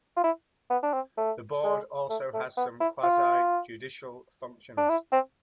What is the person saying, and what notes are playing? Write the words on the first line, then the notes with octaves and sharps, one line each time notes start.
The board also has some quasi-judicial functions.
F4
E4
B3
D4
C4
A3
G#3
A3
A3
B3
E4
F4
D4
E4
C4